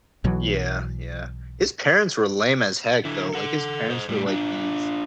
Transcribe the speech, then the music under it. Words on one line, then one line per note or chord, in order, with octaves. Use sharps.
Yeah. Yeah. His parents were lame as heck, though. Like, his parents were, like, these
B1 B2 E3 F#3
D3 E4
A4 F#5
C5 D#5
A2 G3
D4 F4